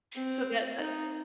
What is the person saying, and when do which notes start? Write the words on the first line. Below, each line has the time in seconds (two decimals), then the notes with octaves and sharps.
so that that
0.16 C4
0.79 D#4